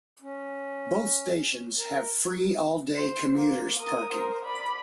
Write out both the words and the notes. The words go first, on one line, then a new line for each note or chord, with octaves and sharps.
Both stations have free all-day commuters parking.
C#4
A#4
C5
A#3
A#4 D#6
A#4 C5
D5 B5